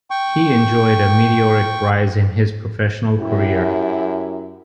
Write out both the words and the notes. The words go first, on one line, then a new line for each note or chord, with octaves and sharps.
He enjoyed a meteoric rise in his professional career.
G5 C#6
F#2 E4 G4